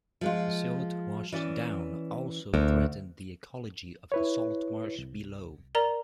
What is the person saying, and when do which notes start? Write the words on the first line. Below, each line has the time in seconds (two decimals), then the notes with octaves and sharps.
The silt washed down also threatened the ecology of the saltmarsh below.
0.21 F3 G#3 F4
1.32 E3 C#4 D5
2.54 D2 A#3
4.12 E4 B4 C#5
4.98 C2
5.75 A#4 D5 A#5